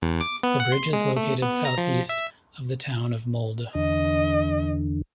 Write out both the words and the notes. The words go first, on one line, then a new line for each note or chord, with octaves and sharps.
The bridge is located southeast of the town of Molde.
E2
D6
B3
F#5
C6
G#3
A3
B3
A#5
F3
E5
E2 D3 D#5